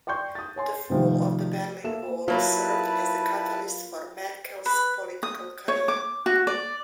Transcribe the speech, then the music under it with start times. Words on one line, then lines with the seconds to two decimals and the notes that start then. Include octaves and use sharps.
The fall of the Berlin Wall served as the catalyst for Merkel's political career.
0.07 D5 G5 C6 C#6 G6
0.35 D#6 A6
0.56 C#5 G#5 C6
0.90 C3 D#3 F3 G3 A3
1.84 A#3 A4 E5 E7
2.28 F#3 A#3 E4 F4 B4 A5 B5
4.66 B4
5.23 D#6
5.68 C#5
5.88 D6
6.26 F#4
6.47 D5